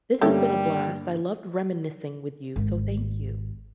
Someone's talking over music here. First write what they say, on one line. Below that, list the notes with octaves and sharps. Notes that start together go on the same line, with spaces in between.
this has been a blast, I loved reminiscing with you, so thank you.
G2 D3 G3 A3 A#3 C#4 G4
G#1